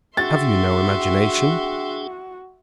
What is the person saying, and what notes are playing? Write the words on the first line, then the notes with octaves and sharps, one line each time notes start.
Have you no imagination?
D4 F#4 G#4 E5 G5 C6 A6